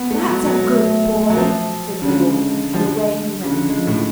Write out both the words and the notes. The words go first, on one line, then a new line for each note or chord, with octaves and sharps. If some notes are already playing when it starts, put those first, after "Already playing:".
"That's a good boy!" said they all, and away he went.
Already playing: B3
A3
G#3
F#3
G#3
F#3
A3
F#3
F3
C#3
D3 G#3
F3
D3
C#3
D3 F3
G#3
F3
A2